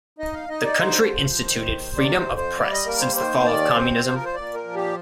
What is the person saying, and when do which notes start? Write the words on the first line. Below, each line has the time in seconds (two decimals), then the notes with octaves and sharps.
The country instituted freedom of press since the fall of communism.
0.19 D#4 D#5
0.33 F5
0.48 D#4 D#5
0.64 D5
0.79 D3 C5
1.09 F3
1.39 D#3
1.68 D#2
1.97 C3 D5
2.17 C5
2.26 F2
2.37 C5
2.56 G3 D5
2.72 D#5
2.86 A#3 A#4
3.01 C5
3.16 D#3 C5
3.45 D#2 D5
3.75 C4 C5
4.05 F3 C5
4.15 A#4
4.25 C5
4.34 A#2 D5
4.54 A#4
4.64 F3
4.75 G4